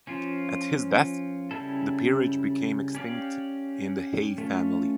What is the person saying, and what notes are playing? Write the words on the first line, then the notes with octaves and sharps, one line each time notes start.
At his death, the peerage became extinct in the Hay family.
F3 C#4 F4
C#3 G3 C#4 E4 A4
C#4 G4 D5 F5
A3 C#4 F4